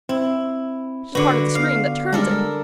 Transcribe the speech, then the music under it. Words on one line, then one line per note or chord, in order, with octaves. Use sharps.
She's part of the stream that turns it.
C4 E4
D3 F#4 B4 D6
B3 D4 F5
G3 G#3 D4 A4 A#4